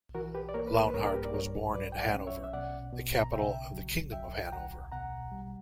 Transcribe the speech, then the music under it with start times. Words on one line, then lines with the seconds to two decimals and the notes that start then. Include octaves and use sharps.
Launhardt was born in Hanover, the capital of the Kingdom of Hanover.
0.15 E3 F#4 A#4
0.35 G4 B4
0.49 D5
0.54 A#3 A#4 C#5
0.67 B4
0.74 A#4 C#5
0.88 B4
0.94 G2 A#4 C#5
1.05 A#4
1.14 G4 B4
1.25 D5
1.34 G2 A#4 C#5
1.74 F#3 B4 D5
1.92 G5
2.00 D5 F#5
2.14 C#4
2.27 C#5 E5
2.44 E5
2.53 B2 D5 F#5
2.93 B2
3.22 A#5
3.33 C#3 E5 G5
3.73 F#3
4.12 D2 E5 G5
4.47 G5
4.52 D2 F#5 A#5
4.92 B2 F#5 A#5
5.32 G3